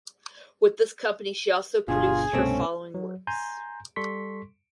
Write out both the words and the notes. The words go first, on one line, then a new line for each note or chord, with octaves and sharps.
With this company she also produced her following works.
G1 B2 D4 F4 G#4
C2 G2 B2 A3 C4 C#4
F#3
G#5 A#5 C6 G6
G3 A4 C6 C#6 B6